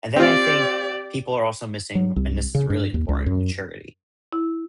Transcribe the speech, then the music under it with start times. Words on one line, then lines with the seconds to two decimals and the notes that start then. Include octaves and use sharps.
and then I think people are also missing, and this is really important, maturity.
0.16 C4 F4 G4 D5
1.95 F#3
2.16 C2
2.55 C#3
2.70 G2
2.94 D#2
3.09 C#2
3.26 F#2
4.33 E4